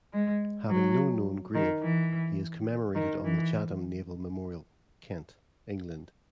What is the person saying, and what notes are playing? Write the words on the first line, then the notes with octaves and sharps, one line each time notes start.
Having no known grave, he is commemorated on the Chatham Naval Memorial, Kent, England.
G#3
F#3
D#3
E3
D#3
E3